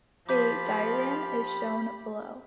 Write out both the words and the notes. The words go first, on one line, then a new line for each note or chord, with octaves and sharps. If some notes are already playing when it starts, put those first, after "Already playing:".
A diagram is shown below.
F3 G4 B5 D6 G6 B6